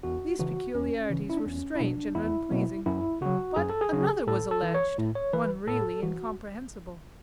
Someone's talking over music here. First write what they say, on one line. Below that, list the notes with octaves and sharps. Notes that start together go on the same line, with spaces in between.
These peculiarities were strange and unpleasing; but another was alleged, one really incomprehensible.
E2 F#4
C#3 E3 F#4
E2 C#4
C#3 E3
E4
D4
E2 C#4
E4
B2 F#3 D4
E2 E4
B2 F#3
F#2 E4
C#3 F#3 F#4
F#2 G#4
A4
G#4
C#3 F#3
A2 A4
A4
E3
C#5
A2
C#5
E3 B4
A2 A4
E3 F#4